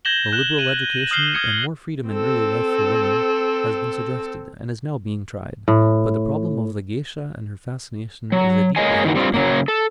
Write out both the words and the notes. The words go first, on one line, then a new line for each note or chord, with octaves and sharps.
A liberal education, and more freedom in early life for women, has been suggested, and is now being tried, but the problem of the geisha and her fascination is a deep one in Japan.
G6 G#6 A#6 E7 F#7 G7
F#6 E7
D#7 E7 F#7
D#6 F6 G6 C7 F#7 G7
D#6 G#6 A#6 C#7
C4 A4
A2
F#3
G#3 A#3 C#5 D#5 G#5
A#2 D#3 E3 F#4
G3 C4 D4 F4
C#3 F#3 A#3
A4